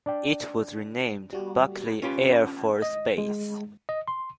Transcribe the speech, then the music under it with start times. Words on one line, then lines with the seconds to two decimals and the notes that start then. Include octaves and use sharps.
It was renamed Buckley Air Force Base.
0.06 D4 D5 G5
1.33 G3 F#4 G4
2.02 C#4 F4 G4 B4
2.82 D#5
3.18 G#3
3.89 D#5
4.08 C6